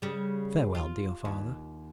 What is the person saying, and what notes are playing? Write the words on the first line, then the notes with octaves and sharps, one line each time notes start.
Farewell, dear father!
C#3 G3
F4
D#2